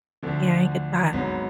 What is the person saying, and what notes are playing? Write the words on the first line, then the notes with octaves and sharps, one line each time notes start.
Yeah, I get that.
D2 D3 F3
G#1 G#2 F#3 B3